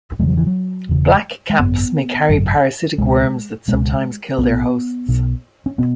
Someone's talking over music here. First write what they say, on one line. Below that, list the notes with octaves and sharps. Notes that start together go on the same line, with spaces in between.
Blackcaps may carry parasitic worms that sometimes kill their hosts.
E1 E2 C#3 G#3
F#3
E3
F#3
E1 E2 C#3
G#3
G#1 F#2 C#3 B3
G#1 F#2 C#3
C#2 B2 G#3
C#2 B2 G#3
B1 B2 B3
B1 B2
C#4
B2 B3